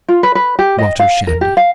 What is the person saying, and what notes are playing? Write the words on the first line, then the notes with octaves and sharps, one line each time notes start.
Walter Shandy.
F4
B4
B4
G4
D#5
F5
A#4
G4
F5